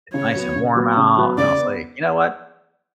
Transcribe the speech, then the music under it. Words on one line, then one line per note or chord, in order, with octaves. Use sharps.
it's nice and warm out, and I was like, "you know what,
C#3 C#5
F#3 B3
C#3
F#3 B3
C#3
F#3 B3
C#3 D5
B3